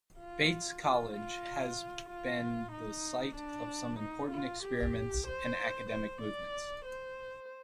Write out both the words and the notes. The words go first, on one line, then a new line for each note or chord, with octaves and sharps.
Bates College has been the site of some important experiments and academic movements.
F4
F4
F4
F4
D#4
D4
D#4
F4
G4
C5
C5
D5
C5